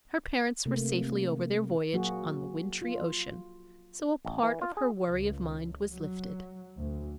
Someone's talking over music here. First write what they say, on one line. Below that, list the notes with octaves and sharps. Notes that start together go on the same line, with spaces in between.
Her parents were safely over their voyage on the wintry ocean, so a part of her worry of mind was lifted.
C3 A3 A#3
F#3 A#3 F#4 G#4
F4
A1
E3
F4
G#4
C#2
F#3
D2